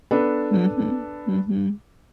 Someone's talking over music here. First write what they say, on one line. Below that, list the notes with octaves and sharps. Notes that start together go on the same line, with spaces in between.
Mhm, mhm.
B3 D4 A4 B4